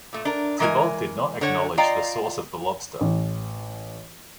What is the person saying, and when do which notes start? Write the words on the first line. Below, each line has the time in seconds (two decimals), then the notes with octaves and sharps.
Thibault did not acknowledge the source of the lobster.
0.13 A#2 A3
0.25 D4 A#4
0.60 E3 G#3 A#4 F5 G#5
1.41 D3 C#5 F#5
1.77 F4 D5 D#5 F5 G5 A#5
3.01 A1